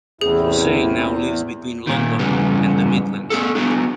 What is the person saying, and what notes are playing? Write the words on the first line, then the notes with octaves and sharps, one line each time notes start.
Hossain now lives between London and the Midlands.
A1 E2 C3 E4 G#4
A#2 D#3
E2 G2 C#3 G3 B3
B3 G#4 A4
F#3 B3 D4